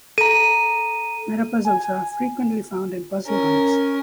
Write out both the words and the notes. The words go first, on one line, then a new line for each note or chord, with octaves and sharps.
Metapuzzles are frequently found in puzzlehunts.
A4 A#5 D#7
G#5
C#4 A#4